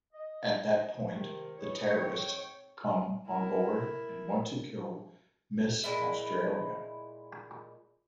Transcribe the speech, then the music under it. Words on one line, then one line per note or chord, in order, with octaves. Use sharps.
At that point, the terrorists come onboard and want to kill Miss Australia.
D#5
C3 D#3
B2 E4 G#4 C#5
G#2 C4 G5
E4 A#4
A#2 G#3 E4